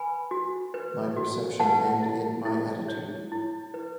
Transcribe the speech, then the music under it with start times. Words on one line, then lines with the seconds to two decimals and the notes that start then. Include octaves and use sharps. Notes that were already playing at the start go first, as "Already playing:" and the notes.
My perception and it my attitude.
Already playing: B4 G#5 B5
0.31 F#4
0.74 B4
1.17 F#4
1.60 B4 F#5 A5
2.02 E4
2.45 E4
2.88 C#5
3.32 E4
3.74 B4